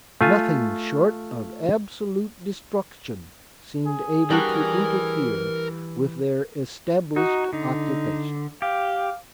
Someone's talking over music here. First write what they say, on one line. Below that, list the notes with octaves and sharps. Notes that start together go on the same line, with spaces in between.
Nothing short of absolute destruction seemed able to interfere with their established occupations.
A3 F4 G#5
G#4
E3 G3 D4 F#4 A#4 A#5
D#4 F#4
D3 D#4
G4 F5